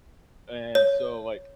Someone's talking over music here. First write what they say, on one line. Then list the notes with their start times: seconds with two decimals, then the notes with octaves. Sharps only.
And so, like,
0.75 C#5